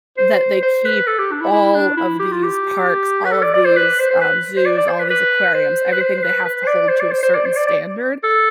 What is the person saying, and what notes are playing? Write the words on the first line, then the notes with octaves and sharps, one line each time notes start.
That they keep all of these parks, all of these, um, zoos, all of these aquariums, everything they have to hold to a certain standard,
C5
C5
B4
A4
G4
D4
E4
E4
D4
E4
G4
F4
G4
B4
A4
D5
D5
C5
B4
C5
C5
B4
C5
D5
D5
C5
B4
B4
C5
B4
C5
C5
B4
B4
C5
D5
C5
D5
C5
C5
D5
C5
D5
D5
A4